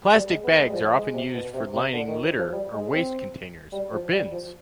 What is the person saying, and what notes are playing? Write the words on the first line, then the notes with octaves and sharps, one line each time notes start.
Plastic bags are often used for lining litter or waste containers or bins.
G3
G#3
B3
G#3
G3
F3
G#3
C3
B2
C3
C3
D3
D#3
F3
F3
G3
G#3
C4
G3
F3
G3
F3